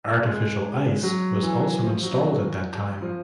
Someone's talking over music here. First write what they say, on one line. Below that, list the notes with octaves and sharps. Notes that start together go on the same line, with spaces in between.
Artificial ice was also installed at that time.
G#3
F#3
E3
F3
F#3
F3